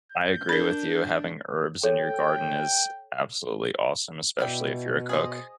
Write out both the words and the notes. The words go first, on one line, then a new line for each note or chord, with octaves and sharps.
I agree with you. Having herbs in your garden is absolutely awesome, especially if you're a cook.
G6
D4 A#4 B5
A4 C#5 G5
B2 E4 D5 G5
G#4 C5 D#5